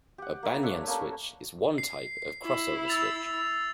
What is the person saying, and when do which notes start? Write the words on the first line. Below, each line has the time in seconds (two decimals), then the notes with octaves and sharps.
A banyan switch is one type of cross-over switch.
0.18 G4 F#5
0.43 A#3 B4 E5 C#6
0.63 D4 A4 C#5 E5
0.86 A3 A#3 C#4 A4
1.78 C7
2.44 E4
2.88 E6 A6 F7